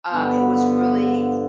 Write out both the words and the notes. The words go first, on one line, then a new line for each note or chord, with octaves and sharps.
um, it was really f
G2 D3 F3 B3